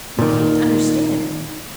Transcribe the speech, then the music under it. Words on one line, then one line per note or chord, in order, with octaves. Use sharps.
You can't understand.
A#2 D#3